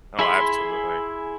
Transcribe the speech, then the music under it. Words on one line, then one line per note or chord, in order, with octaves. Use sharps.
Oh, absolutely.
E4 G#4 E5 B5 C6